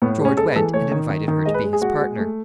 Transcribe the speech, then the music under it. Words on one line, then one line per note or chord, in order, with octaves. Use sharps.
George went and invited her to be his partner.
A2 B3
G#3
C#4
G#3 A4
B4
E3 A4
A3 C#5
D#3
D#3
D#3
G#3 D#5
B4
G#3
G#4
G#3 F#4
G#3
A3